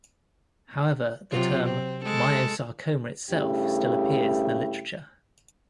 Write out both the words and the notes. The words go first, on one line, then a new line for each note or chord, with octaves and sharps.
However, the term myosarcoma itself still appears in the literature.
C3 F#3 F4
C4
G#3 A4
G2 C#3 A3 E4 G4